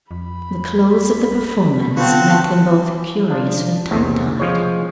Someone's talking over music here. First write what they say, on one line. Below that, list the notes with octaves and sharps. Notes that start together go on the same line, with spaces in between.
The close of the performance left them both curiously tongue-tied.
F2 B5
D3 B3 C4 F4 F#4 A5
F3 D4
B1 E2 C3 A3
F3 G#3 C#5